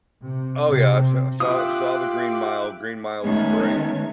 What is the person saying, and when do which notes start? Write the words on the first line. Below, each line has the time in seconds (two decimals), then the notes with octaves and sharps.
Oh, yeah, I s I saw saw The Green Mile, Green Mile is great.
0.21 C3
0.68 C3
1.40 F4 G4 E5 D6 D#6 F#6
3.21 D#3 G#3 A3 B3 C#4 G#6